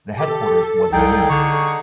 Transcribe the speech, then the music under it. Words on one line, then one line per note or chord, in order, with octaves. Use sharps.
The headquarters was in Munich.
G4 A4
C2 D#4 G#4 G5
D3 C#6